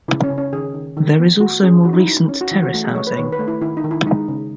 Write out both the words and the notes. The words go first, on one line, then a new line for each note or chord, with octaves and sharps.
There is also more recent terrace housing.
C#3 E4
C#4
C#3
C#4
D#3 G#4
D#3
D#3
B3
A3 F#4
C#4 G#4
F#3 F#4
D#4
E4
F#3
C#4
F#4
E3
F#4
A3 F#4
G#4
A3 C#5
B4
D#3 C#5
B4
A3
E4
D#3 E4
D#4
D#3
E4
G#3 D#4
C#3